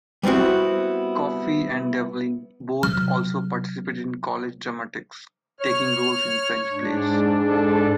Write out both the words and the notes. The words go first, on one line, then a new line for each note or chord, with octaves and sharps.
Coffey and Devlin both also participated in college dramatics, taking roles in French plays.
G3 B3 C4 E4 F#4
C3 F#3 F6
C#5 F6
G#2 D4
F2 A4 A5